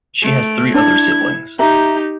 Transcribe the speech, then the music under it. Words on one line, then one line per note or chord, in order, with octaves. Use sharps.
She has three other siblings.
A3 D7
D4 E4 G#6
D#4 G4 E5 A#5